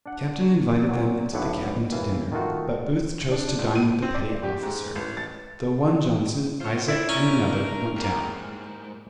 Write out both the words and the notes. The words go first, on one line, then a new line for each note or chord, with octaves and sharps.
The captain invited them into the cabin to dinner, but Booth chose to dine with the petty officer, though one Johnson, Isaac and another, went down.
D4 F#5
A#2 F#3
B1 A2 D4 E4 F#5 A5
D#2 E3 F5
D#3 A3 F4 F#4
D4
C#2
D#7
C4
D5
G4
G#2
A1
A6
F4 C5 C#5
E4 D5 E5
C#4 A#4 A#5
D4 D#4
G#2 G3 A#3 A#4